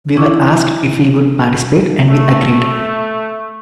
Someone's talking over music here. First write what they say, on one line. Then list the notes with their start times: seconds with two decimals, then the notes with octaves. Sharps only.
"We were asked if we would participate and we agreed".
0.17 E3 E4 C#6 D6 E6
2.09 A3